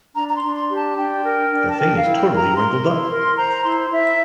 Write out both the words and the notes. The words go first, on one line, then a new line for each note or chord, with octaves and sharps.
The thing is totally wrinkled-up.
D4 A#5
A#5
C6
D4
C6
G4
A5
D4 G5
A#4
D4
A5
A#4 G5
F5
E4
G5
A#4
A#5
A#4 C6
E4
A#4
C5 A#5
E4 C6
E4 E5